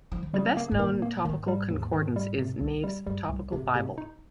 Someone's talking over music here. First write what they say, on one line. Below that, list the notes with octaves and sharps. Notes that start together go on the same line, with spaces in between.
The best-known topical concordance is Nave's Topical Bible.
F3
D#3
C#3 G3
A#3
G#2
A#2 D#3
A#3
G#2 D#3
G3
D#2
D#3
G3
C3
C2
G3
G2 G3
C2
G#2 C3
C3
D#4